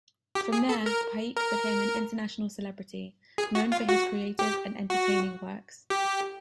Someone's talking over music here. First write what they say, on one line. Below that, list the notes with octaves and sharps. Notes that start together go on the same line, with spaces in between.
From there, Paik became an international celebrity, known for his creative and entertaining works.
G4
G#4
A4
A#4
A#4
G#4
F#4
F4
F#4
G4
F#4
G4